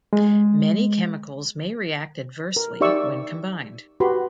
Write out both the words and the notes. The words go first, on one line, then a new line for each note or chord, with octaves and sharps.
Many chemicals may react adversely when combined.
G#3
A#4
D#4 G4 D5 E5 C#6 E6
F#4 G4 B4 B5 C6